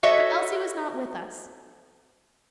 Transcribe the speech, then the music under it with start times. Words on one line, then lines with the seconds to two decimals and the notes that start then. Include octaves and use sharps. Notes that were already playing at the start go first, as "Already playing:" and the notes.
But Elsie was not with us.
0.03 F#4 A4 C#5 D#5 E5